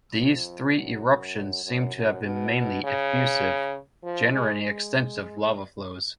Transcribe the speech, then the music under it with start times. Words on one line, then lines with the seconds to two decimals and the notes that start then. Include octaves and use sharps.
These three eruptions seem to have been mainly effusive, generating extensive lava flows.
0.16 F2
0.75 F#2
1.64 F#2
1.95 F#2
2.24 B2
2.84 C#3
4.03 F3
4.33 G#3
4.62 G#3